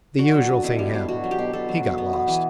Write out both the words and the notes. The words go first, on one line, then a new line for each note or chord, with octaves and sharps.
The usual thing happened; he got lost.
D3 F#4
F#3
D3
B2 E4
G3
B2
B2 F#4
F#3
G4
B2
B2 A4
F#3
B2
B3
B3
E3